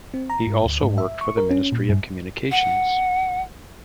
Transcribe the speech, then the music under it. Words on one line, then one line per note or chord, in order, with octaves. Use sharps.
He also worked for the Ministry of Communications.
C4
A#5
G#2
D2
G#2
E5
C#6
A#4
C#4
A#2
G2
F#5